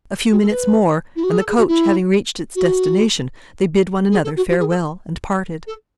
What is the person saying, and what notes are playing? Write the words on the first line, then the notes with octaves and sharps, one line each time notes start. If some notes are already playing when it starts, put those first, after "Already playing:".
A few minutes more, and the coach having reached its destination, they bid one another farewell, and parted.
F#4
A4
B4
E4
F#4
G#4
A4
G#4
F#4
E4
F#4
G#4
A4
F#4
F#4
G#4
A4
A4